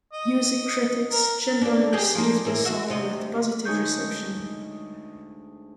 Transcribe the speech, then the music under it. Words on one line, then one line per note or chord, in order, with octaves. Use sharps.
Music critics generally received the song with positive reception.
D#5
A#4
A#3 D4
G4 G#4 D#5
F3 A#3
A2 E3 A#3
F#4 E5
D2 C3 D#5
D2 G#3 D#4 C#5 G6